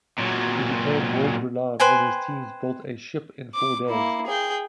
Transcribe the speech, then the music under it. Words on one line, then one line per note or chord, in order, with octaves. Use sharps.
He became world-renowned when his teams built a ship in four days.
A#2 F#3
B4 C5 G5 G#5
D6
A#3 E4
G#4 G5